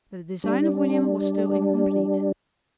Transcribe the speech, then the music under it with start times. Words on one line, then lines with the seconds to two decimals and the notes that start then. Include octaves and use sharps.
But the design of William was still incomplete.
0.44 G3 D4